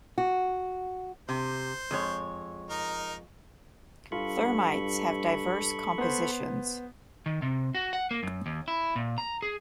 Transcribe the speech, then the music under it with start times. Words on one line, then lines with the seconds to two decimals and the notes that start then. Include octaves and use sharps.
Thermites have diverse compositions.
0.18 F#4
1.29 C3 C5
1.91 F2 G#3 C#5
2.70 D#4 A#4
4.12 G2 F4 A4 B5 C#6
5.98 B3 C5
7.26 D#3
7.42 C3
7.75 F#4
7.93 F#5
8.11 A#3
8.23 F#2
8.46 D#2
8.68 E4
8.96 A#2
9.18 A#5
9.42 G#4